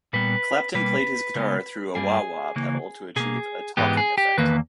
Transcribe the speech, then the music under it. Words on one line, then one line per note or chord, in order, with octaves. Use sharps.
Clapton played his guitar through a wah-wah pedal to achieve a "talking-effect".
A#2 G3 B3 B4
B2 G3 A#3 B4
C#3 G#3 B3
G2 G3 A#3 G#4
C#3 E3 A#3
B2 A#3 G#4
G#2 E3 G#3 B3 G4
G#4
G4
E2 D#3 A#3 B4